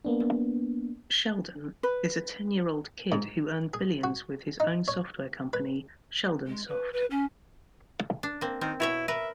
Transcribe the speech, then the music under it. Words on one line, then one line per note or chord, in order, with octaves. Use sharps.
Sheldon: is a ten-year-old kid who earned billions with his own software company: Sheldonsoft.
A#3 B3 D4
B4
G#2
G#4
F#4
D#4
C#5
B4
G#3
B4
B4
C#4
D4
A#3 C4
D#3 C4
B2 E4 C#5 E5
A#4 B4 E5